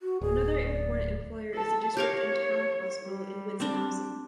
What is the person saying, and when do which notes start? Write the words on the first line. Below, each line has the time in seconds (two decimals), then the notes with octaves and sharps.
Another important employer is the district and town hospital in Witzenhausen.
0.01 F#4
0.21 D1 G#4
0.65 D5
1.54 A4 A5
1.97 G4 A#4 C#5 F5
3.05 G3
3.60 C4 D4